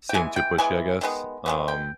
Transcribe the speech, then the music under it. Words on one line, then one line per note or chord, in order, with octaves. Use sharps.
seem too pushy, I guess. Um,
G5
E3 G#3 B3 G#5
G5
E3 G#3 B3 G#5
D#3 G#3 B3
D#3 G#3 B3
G5